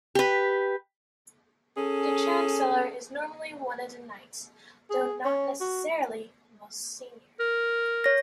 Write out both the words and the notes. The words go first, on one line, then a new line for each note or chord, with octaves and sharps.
The Chancellor is normally one of the knights, though not necessarily the most senior.
G4 B4
C#4 G#4 A4
G#4
C#4
F#4
A#4
C#5 A#6